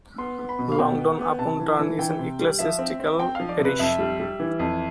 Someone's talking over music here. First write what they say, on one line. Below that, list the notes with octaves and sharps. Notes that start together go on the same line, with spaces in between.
Longdon-Upon-Tern is an ecclesiastical parish.
B3 C6
B3
B5
B2
F5
B2 G5
B3
B3
C3 A5
E3
E3
E3 G5
C3
G3
F3 E5
C4
C4
C4 G5
F3 F5
D5
C3
B4
F2 E5
G3
G3
E3
F2